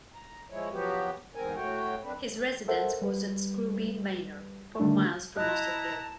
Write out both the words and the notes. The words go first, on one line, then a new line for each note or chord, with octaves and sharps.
His residence was at Scrooby manor, four miles from Austerfield.
A#5
F3 G#3 E4 C#5
F3 F#3 B3 F#4 G4
E2 G#2 C4 A#4 G#5
A2 A3 F#4 C#5 G5
F#2 C4 D4 B4
A4 A#4 C5 E5 F#5
G3 B4
D3 D#3 G3 A3 D4
E4 D#5 A5 A#5 F#6